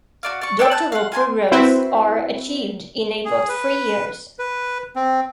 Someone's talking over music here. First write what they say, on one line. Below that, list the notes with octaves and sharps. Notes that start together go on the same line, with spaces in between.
Doctoral programmes are achieved in about three years.
F#4 D5 F5
D5 C#6
D4 A4 E5 G5
A5 F#6 G6
F5 F#5
F4 G#5 A5 C6
C4 E4 F#4 B4 C5 E5
G#4
B4
B4
C4